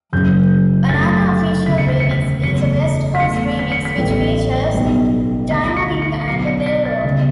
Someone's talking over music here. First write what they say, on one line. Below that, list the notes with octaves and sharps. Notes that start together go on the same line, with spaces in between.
Another official remix is a West Coast remix which features Diamonique and Lil Rob.
F#1 F#2 C#3 G6
F#2 D3 A3 A6
A6
E1 D2 C#3 B6
C#7
B6
C#7
B6
F#1 E2 C#3 F#3 A3 C#7
B6
E2 D3 A3 C#7
B6
C#7
B6
A1 A2 G3 B3
B1 B2 G3 B3
D2 D3 G3 B3 B6
C#7
C#7
B1 B2 F#3 B3 C#7
C#7
B6
A6
C#2 C#3 G3 B3